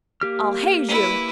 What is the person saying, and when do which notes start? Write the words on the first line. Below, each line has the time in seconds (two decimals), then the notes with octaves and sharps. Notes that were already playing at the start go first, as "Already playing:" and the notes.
I'll haze you!
0.21 A#3 G4 F6
0.88 E4 B4